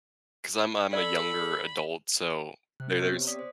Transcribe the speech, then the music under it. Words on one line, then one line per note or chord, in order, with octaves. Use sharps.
'cause I'm I'm a younger adult, so there there's
A4 D5 B5
C3 F#6
B3 G4 C#5
D5 D#6 B6
C5